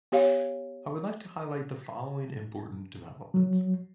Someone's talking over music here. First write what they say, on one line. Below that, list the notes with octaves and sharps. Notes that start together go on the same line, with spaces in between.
I would like to highlight the following important developments.
B3 G4 C#5 F5
F#3